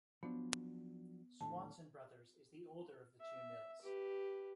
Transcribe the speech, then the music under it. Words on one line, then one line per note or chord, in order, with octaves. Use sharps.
Swanson Brothers is the older of the two mills.
F3 F#3 B3 D4
D#2 A2 D3 A5
E5
G4 B4